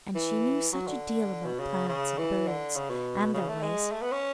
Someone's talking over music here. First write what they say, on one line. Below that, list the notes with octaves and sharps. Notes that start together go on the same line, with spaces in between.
And she knew such a deal about plants and birds, and their ways!
E3
F#3
D3
B2
C#3
C#3
E3
D3
C#3
B2
C#3
A3
G#3
A3
B3
C#4